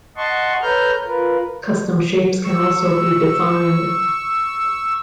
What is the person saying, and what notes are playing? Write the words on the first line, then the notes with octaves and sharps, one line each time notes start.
Custom shapes can also be defined.
D#5 F#5 A5 C6 C#6
A4 B4 C#5 A#5 F6 G6
F4 A#4 B4
C#6 E6